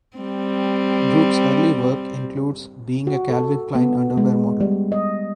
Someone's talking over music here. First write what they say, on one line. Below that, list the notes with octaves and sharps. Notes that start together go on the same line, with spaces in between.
Brooks' early work includes being a Calvin Klein underwear model.
G3 C4
F#4
A4
B3
G#3
G3
D#5